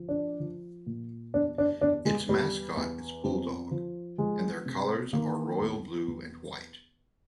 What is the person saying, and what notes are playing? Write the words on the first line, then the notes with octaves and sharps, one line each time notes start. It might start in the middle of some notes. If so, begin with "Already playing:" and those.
Its mascot is Bulldog and their colors are royal blue and white.
Already playing: F3
D4
F3
A#2
E2 D4
D4
E2 D4
G#3
E2 G3
E2
F2
F3
F3 G#3
C3
D#3 A#3
E2
E2